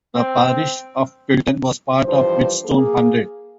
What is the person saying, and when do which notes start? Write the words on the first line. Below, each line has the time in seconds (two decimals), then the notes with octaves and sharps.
The parish of Pilton was part of the Whitstone Hundred.
0.16 C4
2.04 G2 E3 F3 C5
2.65 A#3 G#4